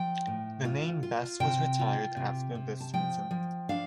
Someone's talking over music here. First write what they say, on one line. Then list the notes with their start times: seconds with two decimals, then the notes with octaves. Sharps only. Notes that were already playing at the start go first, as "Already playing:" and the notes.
The name Bess was retired after this season.
Already playing: F3 G5
0.27 A2
0.65 F4
1.03 F4
1.40 C3 G5
1.79 F4
2.17 C3
2.55 C3
2.80 A5
2.94 F3 G5
3.31 F3
3.69 D4 F5